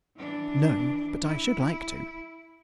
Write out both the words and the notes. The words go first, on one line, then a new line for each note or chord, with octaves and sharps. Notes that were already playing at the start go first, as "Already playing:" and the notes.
"No, but I should like to."
E3 D4
E4